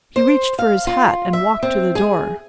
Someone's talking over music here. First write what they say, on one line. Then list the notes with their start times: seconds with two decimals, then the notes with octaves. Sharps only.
He reached for his hat and walked to the door.
0.16 C5
0.59 F5
0.87 F4
1.33 E5
1.63 C4
1.95 G#4